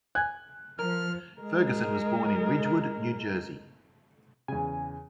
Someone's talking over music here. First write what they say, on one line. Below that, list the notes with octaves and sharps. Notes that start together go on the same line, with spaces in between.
Ferguson was born in Ridgewood, New Jersey.
G#5 F#6
F3 A#4 F6
G#3 A#4
E2 C#3 G#5